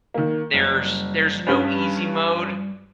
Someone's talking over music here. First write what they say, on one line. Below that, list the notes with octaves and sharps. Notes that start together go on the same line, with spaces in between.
There's there's no easy mode.
D#3 A#3
F#1 G3
G2 C#4 B4